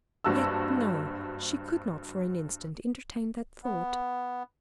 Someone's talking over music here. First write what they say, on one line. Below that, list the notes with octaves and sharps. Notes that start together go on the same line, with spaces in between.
Yet, no; she could not for an instant entertain that thought.
F#1 G2 F#4 A5 E6
B3